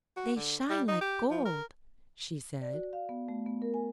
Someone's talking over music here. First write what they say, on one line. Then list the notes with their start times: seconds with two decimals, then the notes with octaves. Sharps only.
"They shine like gold," she said.
0.16 F#4
0.36 D3
0.70 G3
0.88 D#4
1.01 G4
1.30 F3
1.45 A#4
2.61 D5
2.73 F#4
2.93 F5
3.09 B3
3.29 A3
3.46 B3
3.62 A#4
3.74 G#5